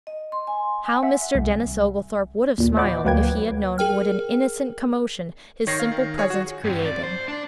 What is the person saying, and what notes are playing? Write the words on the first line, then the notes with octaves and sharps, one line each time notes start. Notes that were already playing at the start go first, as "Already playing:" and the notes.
How Mr. Denis Oglethorpe would have smiled if he had known what an innocent commotion his simple presence created!
D#5
C6
G#5
E5 F#5
C2
D#2 A#2
C5 D5 D#5 F#5 B5 D6
D2 F#3 A#3 B4 G5 G#6
G#4 A#4 G5 F6
D#3 C#5 A#6 C7
F5
D#3
G#4 C#5
F#4
G2 C4
D5
C5
D4